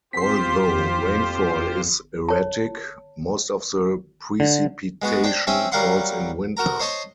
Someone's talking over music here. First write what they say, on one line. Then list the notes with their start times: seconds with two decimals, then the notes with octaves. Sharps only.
Although rainfall is erratic, most of the precipitation falls in winter.
0.13 C4 F4 G4 C5 C6 B6
0.68 F2
2.29 C#5 A5
4.40 D3
5.02 G#3 B3 F#4
5.24 D4 C5 G5
5.47 C4 C#4 E5 G5 G#5
5.72 F#3 G3 A#4 F5 F#5 C6
6.57 F#4 A#4 A#5
6.80 C5 C#5 D#5 A5 C6 C#6